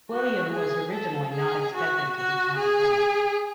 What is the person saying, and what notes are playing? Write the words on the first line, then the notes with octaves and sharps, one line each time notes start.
William was originally not expected to become count.
F#4
G#4
A4
G#4
F#4
F#4
G#4